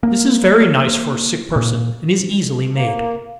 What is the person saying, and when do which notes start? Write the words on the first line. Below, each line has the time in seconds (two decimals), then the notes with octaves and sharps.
This is very nice for a sick person, and is easily made.
0.03 A#3
1.56 A#2
2.74 A#3